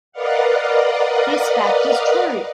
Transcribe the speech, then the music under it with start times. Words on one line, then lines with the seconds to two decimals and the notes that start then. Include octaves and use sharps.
This fact is truth!
0.12 A#4 B4 D5 D#5 F5 F#5